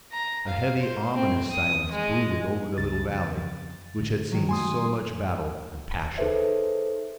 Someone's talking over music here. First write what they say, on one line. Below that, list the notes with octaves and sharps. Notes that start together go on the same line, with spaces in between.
A heavy, ominous silence brooded over the little valley which had seen so much battle and passion.
A#5
F5
C5
C4
D#6
G#3
C#2 A6
F2 C#3
A2 D3 G#3
D#3 F#3
A3 A#3 G#5 C6 D#6
D#4 G#4 A4 B4 C5 E5